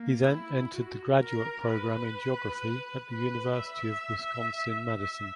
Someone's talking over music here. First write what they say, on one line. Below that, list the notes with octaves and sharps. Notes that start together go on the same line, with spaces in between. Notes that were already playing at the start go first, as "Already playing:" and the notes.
He then entered the graduate program in geography at the University of Wisconsin–Madison.
Already playing: A#3
E4
F#4
A#4
B4
B4
E5
E5